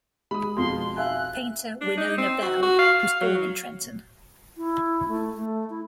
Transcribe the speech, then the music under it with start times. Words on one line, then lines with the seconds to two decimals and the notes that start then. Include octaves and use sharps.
Painter Wenonah Bell was born in Trenton.
0.31 G#3 B5 D#6
0.57 F2 B2 G#3 F4 C6
0.97 E5 F5 G#5 F#6
1.81 D4
1.97 D#4
2.18 C4
2.42 F#4
2.62 F#4
2.79 F5
2.99 F5
3.21 F#3
4.57 E4
5.08 A3
5.37 A3
5.70 E4